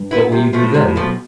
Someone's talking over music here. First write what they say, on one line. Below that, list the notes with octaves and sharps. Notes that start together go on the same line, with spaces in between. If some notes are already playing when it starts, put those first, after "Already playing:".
"What will you do then?"
Already playing: G2
B3 E4
C3
F3 A3
A2
G#2 C3
A2
F3 A3
B1 B2